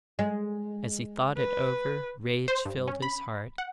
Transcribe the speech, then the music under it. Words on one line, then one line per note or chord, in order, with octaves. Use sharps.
As he thought it over rage filled his heart.
G#3
B4
C5
G2
C#4
B5
F#5